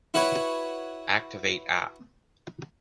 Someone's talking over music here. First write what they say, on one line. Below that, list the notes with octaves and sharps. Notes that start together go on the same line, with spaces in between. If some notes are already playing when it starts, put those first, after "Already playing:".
Activate app.
E4 F#4 B4 C#5